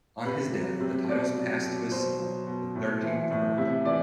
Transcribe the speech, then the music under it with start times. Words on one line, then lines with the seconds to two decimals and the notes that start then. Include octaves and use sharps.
On his death the titles passed to his son, the thirteenth Earl.
0.25 C3 B4
0.52 F#3
0.80 C3
1.09 B2 D5
1.36 F#3
1.64 B2
1.92 B2 C5
2.19 F#3
2.47 B2
2.75 A2
3.03 E3
3.31 A2
3.57 C3 E5
3.85 E3 D5